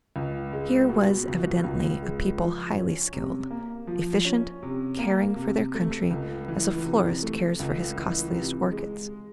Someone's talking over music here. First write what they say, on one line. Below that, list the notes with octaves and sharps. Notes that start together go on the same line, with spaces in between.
Here was evidently a people highly skilled, efficient, caring for their country as a florist cares for his costliest orchids.
C#2
G#3
B2
C#2
C#2
G#3
F3
C#4
C3
A#3
F3
C#4
C3
A#3
C3
A3
C#2
E3
C3
A3
C#2
E3
C3
G#3